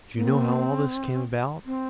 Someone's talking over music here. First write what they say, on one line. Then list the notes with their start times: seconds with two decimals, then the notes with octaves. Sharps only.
Do you know how all this came about?
0.18 A#3 C4
1.66 C4